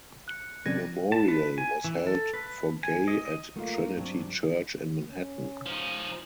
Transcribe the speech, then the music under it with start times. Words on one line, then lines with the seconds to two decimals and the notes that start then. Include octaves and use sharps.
A memorial was held for Gay at Trinity Church in Manhattan.
0.28 F#6 C#7
0.66 C2 F2 C3 D4 G#6 A#6 D#7
1.12 A5
1.28 B4
1.58 G#5
1.85 E3
2.07 A4
2.34 B4
2.83 G#5
3.08 D#5
3.25 D#5
3.56 A3 A#3 F4 D#5
3.97 G2 F#3 C4 D4
5.11 C#4
5.66 F3 D#4